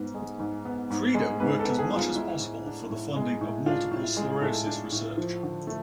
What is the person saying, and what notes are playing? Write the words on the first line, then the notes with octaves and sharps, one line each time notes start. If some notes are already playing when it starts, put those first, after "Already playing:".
Frieda worked as much as possible for the funding of multiple sclerosis research.
Already playing: G#2 B3
G#3
G#2
B3
G#2
G#3
G#2 B4
A4
B3
G#4
G#2
F4
G#3 E4
A2
D4
A2
G#3
A2
D4 F4
A2
G#3
A2 A4
D4
A2
F3
D3
A3